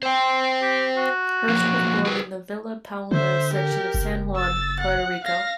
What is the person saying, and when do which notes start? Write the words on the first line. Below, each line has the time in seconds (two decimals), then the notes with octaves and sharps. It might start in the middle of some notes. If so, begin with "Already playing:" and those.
Hurst was born in the Villa Palmera section of San Juan, Puerto Rico.
0.03 C4 C5 G5
0.62 G4
0.97 F#4
1.49 F3 F#3 A#3
2.06 G4 G#4 B4
3.11 D3 C5 E5
3.53 G4 A#4
3.94 F#1
4.35 E6 A6
4.80 F#5
5.24 F5 A#6